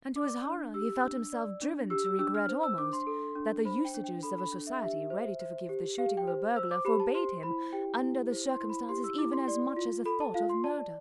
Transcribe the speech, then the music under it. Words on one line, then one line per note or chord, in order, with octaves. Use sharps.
And to his horror he felt himself driven to regret almost that the usages of a society ready to forgive the shooting of a burglar forbade him, under the circumstances, even as much as a thought of murder.
D5 D6
D4
G4 E6
D4
D5
D4
G4 E6
E6
D4 E6
F6
C5
E6
D4 D6
C6
A4
D4
C5 B5
G5
D4
G5
A4 B5
B5
D4
E5
G4 E5
C5
C5
G4
G4 F5
G5
C5
C5 E6
D6
G4 B5
A5
C5 C6
E4 B5
G4 G5
E4
C5
C6
E4
B5
G4 C6
E6
E4 D6
C6
D5
F4
A4 B5
A5
F4 F5
C6
D5 A5